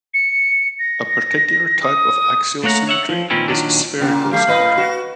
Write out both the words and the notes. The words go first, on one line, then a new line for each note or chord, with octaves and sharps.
A particular type of axial symmetry is spherical symmetry.
C#7
A#6
D#6
A3 A#3 C#5 F#5 A#5
C#5 E5 F#5
F3
A#2 D#3 E3 C4 C#4 E4
A#2 D#3 F#3 D4
A#2 C#3 A#3
F#3 A3 G4 F5
A2 B4 D#5
F#4